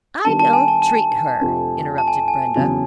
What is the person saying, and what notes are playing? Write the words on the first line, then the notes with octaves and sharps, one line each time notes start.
"I don't treat her," interrupted Brenda.
D#3 G3 B3 D4 A5
A5
G#5
A5
A5
F2 C3 F3 A3 C4
A5
G#5
G#5
E2 C#3 F#3